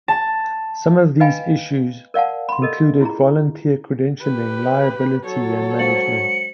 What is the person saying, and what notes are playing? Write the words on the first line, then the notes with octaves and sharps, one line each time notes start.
Some of these issues included volunteer credentialing, liability, and management.
A5
B4 D#5 F5 G5 G#5 B5
A#4 D5 F5 F#5 A5
B5 C6
G4 A4 A#4 D#5
E4 F4 G#4 A#5
G4 B4
F#3 A4 C#5
G#3 C5 C#7 F#7